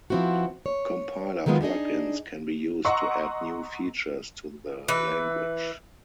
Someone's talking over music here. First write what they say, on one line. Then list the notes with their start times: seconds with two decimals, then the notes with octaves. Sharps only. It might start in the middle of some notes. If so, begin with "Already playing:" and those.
Compiler "plug-ins" can be used to add new features to the language.
0.10 F3 B3 C4 E4 F#4
0.66 C#5
1.46 D#3 F#3 G#3 B3 F4
1.61 D4 D#4 G#4 D#5
2.85 D#5 F#5 A#5 C6 C#6 E6
4.88 E3 B4